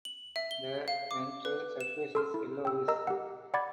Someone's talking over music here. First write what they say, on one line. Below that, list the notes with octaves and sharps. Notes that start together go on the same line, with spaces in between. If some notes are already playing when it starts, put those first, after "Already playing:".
The ventral surface is yellowish.
F#7
E5
G7
F5
D6
B4
E7
A4 C6 F6
E4
G5 E6
A#4 D#5 A#5 E6
G4 F#5
D5 F#5 B5 D6 G#6 A6